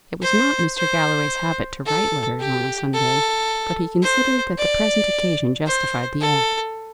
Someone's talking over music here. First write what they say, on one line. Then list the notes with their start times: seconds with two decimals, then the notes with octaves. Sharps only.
It was not Mr. Galloway's habit to write letters on a Sunday, but he considered that the present occasion justified the act.
0.22 C5
0.77 C5
1.86 A4
2.40 G4
2.94 A4
4.02 C5
4.58 D5
5.66 C5
6.20 A4